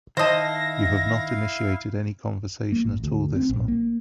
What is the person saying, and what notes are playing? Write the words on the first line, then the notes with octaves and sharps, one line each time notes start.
You have not initiated any conversation at all this month.
D#3 E4 C5 D#5 F5 A5 A#6
A#3
A1
D2
C4
A#1
A#3